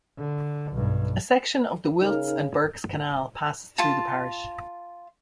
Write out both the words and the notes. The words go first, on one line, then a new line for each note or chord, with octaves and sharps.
A section of the Wilts and Berks Canal passes through the parish.
D3
B1 G2
C#3 D#4 A#4 F6
F4 A5